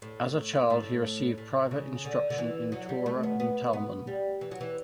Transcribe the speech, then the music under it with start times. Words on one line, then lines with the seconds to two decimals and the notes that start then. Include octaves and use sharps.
As a child he received private instruction in Torah and Talmud.
0.02 A2
0.70 A2
1.38 A2
1.71 C#3
2.05 D3
2.30 D3
2.38 E3
2.72 F#3
2.89 G3
3.06 A3
3.23 B3
3.40 B3
3.73 B3
4.07 G3
4.41 E3
4.51 F#3
4.61 E3